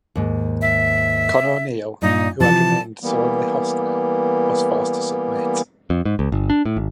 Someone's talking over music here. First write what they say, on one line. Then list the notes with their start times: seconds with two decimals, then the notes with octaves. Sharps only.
Conn O'Neill, who had remained sullenly hostile, was forced to submit.
0.15 D#2 G#2
0.61 E5
2.02 G2 A#2 D#4
2.40 C3 E3 F3 A5
3.02 E3 G3 A#3 B3
5.90 F2
6.05 G#2
6.19 C#2
6.32 G1
6.50 D4
6.65 A2
6.77 G#1